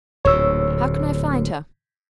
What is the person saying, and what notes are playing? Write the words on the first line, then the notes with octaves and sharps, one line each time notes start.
"How can I find her?"
D1 D2 A#2 C#5 E6